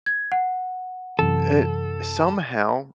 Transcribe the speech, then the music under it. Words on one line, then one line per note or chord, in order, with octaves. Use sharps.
it somehow,
G#6
F#5
F#2 C3 E3 A4